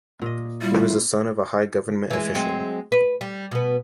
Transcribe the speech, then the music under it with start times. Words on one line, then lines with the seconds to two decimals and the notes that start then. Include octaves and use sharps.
He was the son of a high government official.
0.22 A#2 D#5
0.62 G3 E4 F4
2.10 E3 G#3
2.35 F#3 G#3 C4
2.92 B4
3.21 G3
3.51 B2 B3